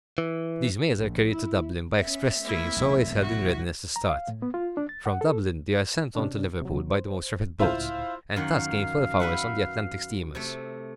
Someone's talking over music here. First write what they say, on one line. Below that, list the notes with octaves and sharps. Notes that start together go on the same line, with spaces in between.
These mails are carried to Dublin by express trains always held in readiness to start; from Dublin they are sent on to Liverpool by the most rapid boats, and thus gain twelve hours on the Atlantic steamers.
E3
A#1
E4
B3 C#4 E5
A3 A#3 C4 E4
E1 B1
A2 E4 F#4
A#5
F5
A2
B3
F4
D4
A6
F#5
A4
C3 C#4 D4
C3 F#3
C5
C#2 A2 E4 F4 C5
F#2 D#3 F5 F#5
B4 E5 F#5
C3 A3